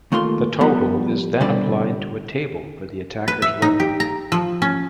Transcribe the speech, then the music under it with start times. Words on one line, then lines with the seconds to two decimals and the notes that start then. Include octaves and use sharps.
The total is then applied to a table for the attacker's weapon.
0.12 D#2 A3 A#3 F4 C6
0.61 F3 G3 B3
1.40 B2 D3 G3 C4 E4 D5
3.28 B4
3.42 E5
3.62 D#4
3.80 G4
4.00 A#5
4.32 F3
4.62 C#4